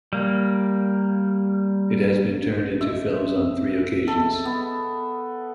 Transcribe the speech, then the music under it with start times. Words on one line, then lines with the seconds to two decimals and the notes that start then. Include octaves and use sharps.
It has been turned into films on three occasions.
0.13 G3 A#3
2.81 E5
4.08 A4
4.45 B3